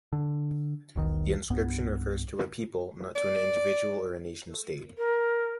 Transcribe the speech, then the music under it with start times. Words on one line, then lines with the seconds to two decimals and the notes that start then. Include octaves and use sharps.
The inscription refers to a people, not to an individual or a nation-state.
0.13 D3
0.96 E1 B1 D#3
1.50 C2 G2 B3
3.15 D5
4.98 A#4